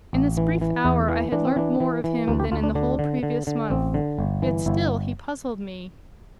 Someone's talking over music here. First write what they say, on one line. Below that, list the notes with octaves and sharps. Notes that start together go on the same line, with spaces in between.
In this brief hour I had learnt more of him than in the whole previous month: yet still he puzzled me.
A1
E3
E3
E2 E4
E3
E3 D4
C4
E3 D4
E3
E3
D2 A#3
G4
D2 F4
D4
D3 D4
D3
D3
D3
A1 C4
D3
G1
E3
G1 E4